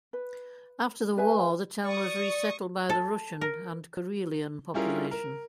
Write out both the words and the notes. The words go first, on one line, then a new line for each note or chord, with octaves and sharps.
After the war, the town was resettled by the Russian and Karelian population.
B4
G#4 B4 E5 G#5
D5 C#6 D#6
A4
A#4
G3 C#4 E4 F4 G#4 A#4
A#4